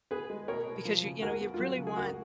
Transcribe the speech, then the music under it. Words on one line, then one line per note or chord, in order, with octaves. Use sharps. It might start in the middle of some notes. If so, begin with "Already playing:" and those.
because you you know, you really want
B3 G#4 B4
G#3
B2 A#4 C#5
B2
F3
C#3
D#2 F#4 A#4
B3
F4
F#3 F#4
C#3
G#4
C#2 F#4 A#4